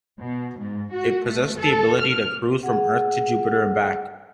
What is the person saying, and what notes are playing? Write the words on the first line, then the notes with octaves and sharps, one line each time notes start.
It possesses the ability to cruise from Earth to Jupiter and back.
B2
G#2
F#4
A3
A4
F6
G#4 F#5